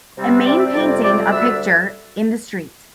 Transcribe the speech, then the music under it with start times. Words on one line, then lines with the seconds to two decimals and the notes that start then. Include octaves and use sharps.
A main painting a picture in the street.
0.17 C3 G3 C4
0.46 C3 G3 C4 D5
0.59 E5
0.74 F2 C3 G3 C4 D5
0.89 D5
1.02 F2 C3 G3 C4 D5
1.31 D2 D3 G3 D4 E5